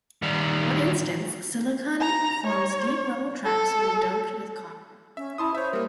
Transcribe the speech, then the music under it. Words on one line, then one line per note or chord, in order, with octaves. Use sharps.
For instance, silicon forms deep-level traps when doped with copper.
D#3 G3
A#5
C#5
A4
C#4 E5
E4 A5 C6 D#6
C5 C#5 E5
G3 A#3 A#4